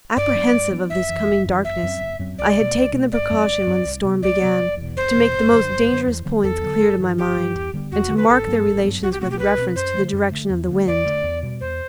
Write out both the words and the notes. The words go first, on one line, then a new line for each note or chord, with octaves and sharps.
Apprehensive of this coming darkness, I had taken the precaution, when the storm began, to make the most dangerous points clear to my mind, and to mark their relations with reference to the direction of the wind.
G2 D5
F#3 B3 D4
G2
F#3 B3 D4
F#1 E5
F#2 E3
F#1
F#2 E3
F#1 E5
F#2 F#3 C4
F#1
F#2 F#3 C4
C2 D5
B2 A3
C2
B2 A3
G1 D5
F#2 F#3 C4
G1
F#2 F#3 C4
C2
C3 F#3 B3
C2 D5
C3 F#3 B3
F#1
E2 B2
F#1 C5
E2 B2
G1
F#2 D3
G1
F#2 D3
E2
D3 F#3 B3
E2 A4
D3 F#3 B3
G1
G2 E3
G1 G4
G2 E3
E2
D3 G3 B3
E2 F#4
D3 G3 B3
B4
A1 A4
G2 F#3 B3
A1
G2 F#3 B3
C2 F#4
G4
B2 A3 C4 F#4
G4
C2 B4
B2 A3 C4
F#2 C5
D3 A3
F#2
D3 A3
E2
D3 A3
E2 D5
D3 A3
E2
B2 G3
E2 C5